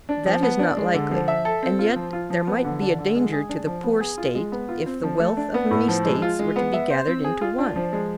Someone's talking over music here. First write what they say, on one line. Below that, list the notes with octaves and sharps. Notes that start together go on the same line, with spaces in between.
That is not likely; and yet there might be a danger to the poor State if the wealth of many States were to be gathered into one.
D4
F3
B3
D4
G#3
D3
F3
E5
A4
C4
F4
F3
F4
F3
B3
D3
D4
D3
G#3
G#4
D4
F3
B3
G#4
F4
G#3
B3
F4
C4
F3
A3
D4
B3
A2
F3
G#3
F4
G#3
B3
E5
C5
C4
G#4
F4
D4
F3
G#3